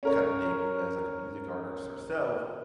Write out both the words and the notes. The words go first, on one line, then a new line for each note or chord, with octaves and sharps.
kinda debut as, like, a music artist herself,
C#4 A#4 C#5